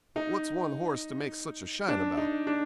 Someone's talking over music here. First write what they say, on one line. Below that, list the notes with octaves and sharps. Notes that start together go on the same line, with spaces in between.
But what's one horse to make such a shine about?'
D#4
D4
D#4
D4